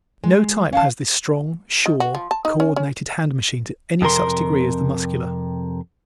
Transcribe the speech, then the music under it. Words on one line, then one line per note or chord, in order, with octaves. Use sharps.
No type has this strong, sure, co-ordinated hand-machine to any such degree as the Muscular.
G#3
C#4 F5 A5
D#3
F#4
F3
A5
D#4
C#4
C#4
F2 C3 A#4 C6